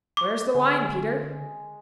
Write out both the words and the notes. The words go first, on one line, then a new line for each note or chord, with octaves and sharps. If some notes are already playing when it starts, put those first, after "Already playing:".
"Where is the wine, Peter?"
C#6 D6
D3 G#3